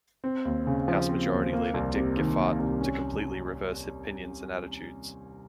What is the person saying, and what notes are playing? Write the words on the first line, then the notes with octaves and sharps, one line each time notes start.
House Majority Leader Dick Gephardt to completely reverse opinions and attitudes.
C4
D#2
C#3
F3
C4
D#2
A#3
C2
C3
D#3
A#3
C2
C#4